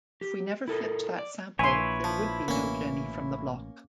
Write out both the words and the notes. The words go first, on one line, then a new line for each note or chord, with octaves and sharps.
If we never flipped that sample, there would be no Jenny From The Block.
G4
E4 A4 A#4
D5
A#1 E4 B4 C#5 G#5 C6
F3
A1 B2 A#3 C#4